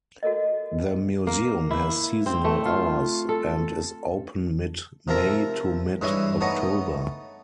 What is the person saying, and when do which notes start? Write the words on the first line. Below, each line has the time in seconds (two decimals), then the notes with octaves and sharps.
The museum has seasonal hours and is open mid-May to mid-October.
0.23 F#4 A4 A#4 D#5
1.27 A#3
1.71 E4
2.26 C4
2.45 A3
2.65 F4
3.29 A4
5.08 C3 F3 A#4 E5
6.01 G2 E3 G#3 C#5 E5 G#5
6.41 A3 B3 D#4 C#5 D#5